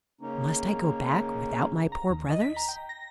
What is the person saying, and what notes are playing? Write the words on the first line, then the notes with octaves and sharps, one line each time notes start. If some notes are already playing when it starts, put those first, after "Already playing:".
"Must I go back without my poor brothers?"
C#3 A#3 C#4 D#4
A#5
D#2
D#5
B6
A#5
G5
A#6